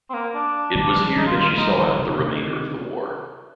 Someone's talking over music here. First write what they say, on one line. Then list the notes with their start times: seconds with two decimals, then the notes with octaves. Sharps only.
It was here that she saw out the remainder of the war.
0.10 C4
0.14 A#3
0.34 D4
0.75 D#3 G3 D4
0.96 F3 G#3
1.17 D#3 G3 D#4
1.27 F4
1.31 F3
1.37 D#3 G3 F4
1.48 F4
1.58 G3 A#3 D#4
1.68 F3 G#3
1.78 D#3 G3
1.88 D3 F3
1.99 C3 D#3
2.19 C3 D#3